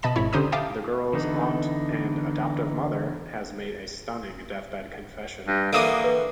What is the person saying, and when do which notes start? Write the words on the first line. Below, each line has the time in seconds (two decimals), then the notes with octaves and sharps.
The girl's aunt-and adoptive mother-has made a stunning deathbed confession.
0.02 B2 D#5 A5 B5 E7
0.16 G#1 E4 C#5 B5
0.33 D3 C#4 G4 C5 A#5 D#6
0.52 E5 F5 G5 A5 D6 D#6
1.13 D3 E3 B3 D#4
5.48 G2
5.73 D3 E3 A#3 F#4 D6 D#6 D#7
6.04 B4